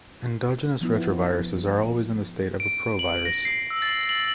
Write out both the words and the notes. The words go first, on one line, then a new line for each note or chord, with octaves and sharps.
Endogenous retroviruses are always in the state of a provirus.
F3 B3 E4
D7
F#7
A#6
C7
E6
A6
F#7